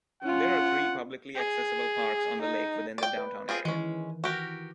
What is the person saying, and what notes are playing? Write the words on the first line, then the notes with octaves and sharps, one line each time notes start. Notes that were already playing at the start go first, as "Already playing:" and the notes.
There are three publicly accessible parks on the lake within the downtown area.
C#4 F4 F#5
G#4
D#4
D5 G5
B4
C4 F4 G#4
D#3 E3 G#3 C#4
F#4 G4 A#4